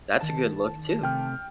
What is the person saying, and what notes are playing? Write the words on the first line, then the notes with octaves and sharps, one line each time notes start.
that's a good look too.
D#3 A5
C3 A3 G5 F6